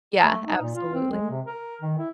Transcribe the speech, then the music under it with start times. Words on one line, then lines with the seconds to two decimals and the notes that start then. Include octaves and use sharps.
Yeah, absolutely.
0.22 A3
0.47 D#4
0.62 A#2
0.75 F4
0.94 C4
1.11 G#3
1.30 C3
1.46 A#4
1.82 D#3
1.98 E4